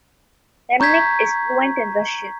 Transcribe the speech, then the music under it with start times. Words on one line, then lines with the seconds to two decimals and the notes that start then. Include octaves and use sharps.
Remnick is fluent in Russian.
0.80 A#5 C#6 G6 G#6 B6